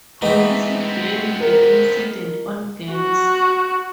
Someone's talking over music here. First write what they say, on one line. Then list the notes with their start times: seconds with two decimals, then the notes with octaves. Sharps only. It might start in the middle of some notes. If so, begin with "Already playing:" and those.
Police blamed the incident on gangs.
0.22 E3 G#3 A3 D#4 B4 F#5 G5
0.81 B3 C4
1.40 A#4
2.93 F#4